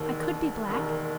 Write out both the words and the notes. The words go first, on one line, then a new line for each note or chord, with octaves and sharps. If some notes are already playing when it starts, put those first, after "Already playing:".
I could be black.
Already playing: E1 D#2 D#3
E1 D#2 D#3